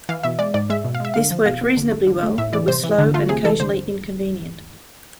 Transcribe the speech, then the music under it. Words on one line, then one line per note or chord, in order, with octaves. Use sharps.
This worked reasonably well but was slow and occasionally inconvenient.
E3 F5
B2 E5
G#3 D5
G#2 D5
G#3 E5
B2
F5
G#3 E5
D3 F5
F3
B2 F5
B3
D3
A3
D3
A3
A2 E5
E3 D5
C3 C5
E3
D3
A3 F4
C3 G#4
E3 A4
D3 C5